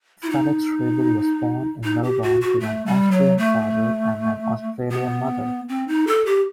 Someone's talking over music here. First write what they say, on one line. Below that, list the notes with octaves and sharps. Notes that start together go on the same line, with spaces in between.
Felix Riebl was born in Melbourne to an Austrian father and an Australian mother.
E4
D#4
D#4
G4
F#4
F#4
A3
G3
F#3
A3
B3
C4
D#4
A4
G4